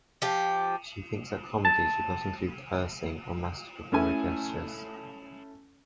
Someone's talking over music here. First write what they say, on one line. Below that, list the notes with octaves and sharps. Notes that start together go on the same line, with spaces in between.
She thinks that comedy should not include cursing or masturbatory gestures.
F3 G4
A5
A3 C#4 E4 A4 G#5